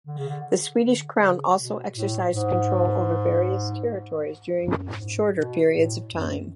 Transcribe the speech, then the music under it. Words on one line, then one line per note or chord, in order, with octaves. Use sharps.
The Swedish Crown also exercised control over various territories during shorter periods of time.
D3
C#3
D3
D3
C#3
B2
A2
G#2
F#2
A2
G#2
B2
A2
F#2